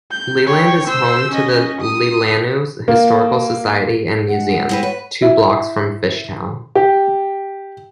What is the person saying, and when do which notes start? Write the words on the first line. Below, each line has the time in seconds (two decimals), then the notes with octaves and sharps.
Leland is home to the Leelanau Historical Society and Museum, two blocks from Fishtown.
0.11 G6
0.46 C#5 G5
0.88 C5 E6
1.31 C#4 D#5
1.81 D#6
2.88 A#3
4.29 G#3 F#5
4.69 G#3 C4 E4 B4
4.83 B4 C#5
5.22 E4
6.75 G4